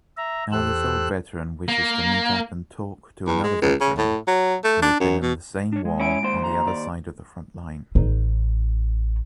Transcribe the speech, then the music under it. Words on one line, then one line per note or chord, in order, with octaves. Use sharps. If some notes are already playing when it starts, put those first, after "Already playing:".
Now this old veteran whishes to meet up and talk to another veteran, who had been in the same war on the other side of the front line.
E5 A#5
E2 G4 A4 C5 E6 F#6
A#3
E2
G#3
C#2
C#3
A2
F#3
A3
D4
F#2
B2
D4 C#5
G#3
C#4 E4 D7
D#2 C5
A#5
D5
A1 D#4